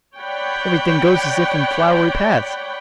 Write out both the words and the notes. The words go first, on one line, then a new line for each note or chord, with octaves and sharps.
"Everything goes as if in flowery paths."
C#5 D5 F#5 G5 B5